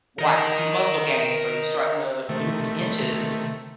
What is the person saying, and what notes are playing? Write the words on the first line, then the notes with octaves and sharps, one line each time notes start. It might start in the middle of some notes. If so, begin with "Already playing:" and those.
wat see muscle gains? Are you starting to lose inches?"
A#4 D#5
C3 D#3 A3